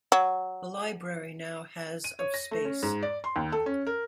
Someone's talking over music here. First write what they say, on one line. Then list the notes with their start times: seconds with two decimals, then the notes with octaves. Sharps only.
The library now has of space.
0.12 F#3
2.04 D#7
2.19 C#5
2.34 A#6
2.51 A3
2.65 C#4
2.83 G#2
3.03 D5
3.24 C6
3.36 D#2
3.52 A4
3.66 C#4
3.87 A#4